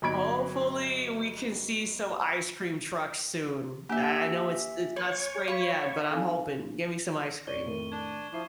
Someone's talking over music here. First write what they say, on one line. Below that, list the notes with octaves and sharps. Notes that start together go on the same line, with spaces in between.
Hopefully, we can see some ice cream trucks soon. I know it's it's not spring yet, but I'm hoping. Gimme some ice cream.
G1 F#3 D#4 B5 G#6 D7
A#3 D4 G4 E5 G#5
B4 C#5
F5 B5 C#6 B6
C4 D#4 A4 F5 G#5
F2 C#5 D5 C#6 D#7 G7
A2 D#3
D4 G#6 E7 G7
F3 E4 C#6 D6 C7